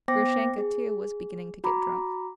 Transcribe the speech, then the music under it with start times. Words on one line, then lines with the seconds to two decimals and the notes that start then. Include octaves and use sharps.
Grushenka, too, was beginning to get drunk.
0.08 B3 C5 G5 D6 A#6
0.58 G#4
1.64 F#4 A#5 B5 D6